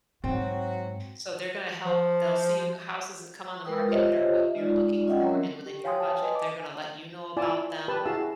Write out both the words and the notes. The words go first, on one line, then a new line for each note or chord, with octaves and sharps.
so, they're gonna help they'll see you houses that come on the market that are what you're looking for and within your budget, they're gonna let you know about them,
G#2 F#3 C4 F#4
F3
G#3 A#4 B4 G5 D#6
F4 G4 C5 C#5 D#5 E5
G#3 D#4 F4 D5
C#4 F4 D#5 E5 F#5 G5
F#3 C4 C#4 A#4
G4
C#5 F5 G5 G#5 C6 D#6
A5
B4 D#5 G#5
D6
E4 F4 D5 G#5 A5
G4 B4 A5 B5
E4 F#4 G#4 F5 A5 E6